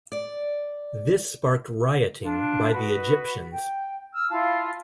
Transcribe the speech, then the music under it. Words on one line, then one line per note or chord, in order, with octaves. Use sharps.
This sparked rioting by the Egyptians.
D5
D4 F4
F#4 B4 D#5
G5
E6 F6
E4 F4 F5 A5